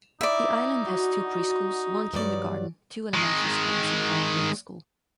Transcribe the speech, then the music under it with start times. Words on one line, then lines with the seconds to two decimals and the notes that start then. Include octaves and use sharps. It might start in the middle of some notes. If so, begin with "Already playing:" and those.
The island has two pre-schools, one kindergarten, two elementary schools and one middle school.
0.21 D#4 E4 D5 E5
0.86 F#4
2.14 G2 F#3 D5
3.14 D#3 G#3